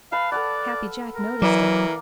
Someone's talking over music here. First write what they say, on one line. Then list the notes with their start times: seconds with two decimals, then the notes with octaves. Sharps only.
Happy Jack noticed it.
0.12 B4 F5 A5 B5
0.32 A4 D5 F5 F#5
1.15 A#4
1.42 E3 F#3 A#3 D5